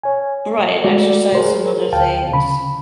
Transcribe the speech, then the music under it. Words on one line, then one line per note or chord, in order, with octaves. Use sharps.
Right, exercise some other things.
C#5 G#5
G#3 A3 F#4 D5
G#4 A#4 C5
D2 F5 G5 A5
C#3 B5